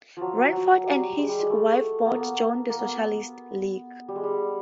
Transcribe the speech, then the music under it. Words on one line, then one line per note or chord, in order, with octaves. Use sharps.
Radford and his wife both joined the Socialist League.
F3 F#3
F#3
G3
G#3
G3
G#3
A3
B3
A#3
A#3
B3
G3
G#3
G3